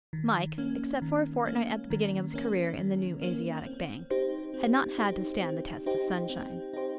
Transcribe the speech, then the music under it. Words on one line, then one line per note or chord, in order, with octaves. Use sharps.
Mike, except for a fortnight at the beginning of his career in the New Asiatic Bank, had not had to stand the test of sunshine.
D#3
A#3 C#4
D#3
A#3 C#4
D#3
A#3 C#4
D#3
A#3 C#4
C4
D#4 G4 C5
C4
D#4 G4 C5
C4
D#4 G4 C5
C4
D#4 G4 C5